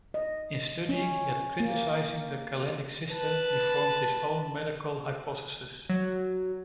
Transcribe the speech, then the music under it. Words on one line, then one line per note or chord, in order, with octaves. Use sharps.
In studying yet criticizing the Galenic system, he formed his own medical hypotheses.
D#5
C#4
A#3
B4 A5
F#3